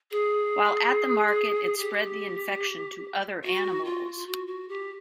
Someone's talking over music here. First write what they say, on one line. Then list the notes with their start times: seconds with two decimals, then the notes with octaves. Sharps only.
While at the market it spread the infection to other animals.
0.11 G#4
1.77 G4
3.44 F#4
3.84 F4
4.26 F#4
4.47 F#4
4.68 G4